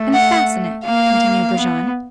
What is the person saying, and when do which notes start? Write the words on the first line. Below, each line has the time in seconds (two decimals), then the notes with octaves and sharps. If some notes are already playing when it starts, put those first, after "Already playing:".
"And fasten it," continued Brujon.
Already playing: A3
0.14 F#5
0.85 A#3 F5
1.57 B3